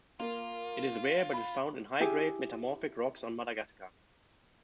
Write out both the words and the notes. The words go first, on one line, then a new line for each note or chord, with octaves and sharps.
It is rare, but is found in high-grade metamorphic rocks on Madagascar.
A#3 F4
B5
E4 G4 G#4 G#5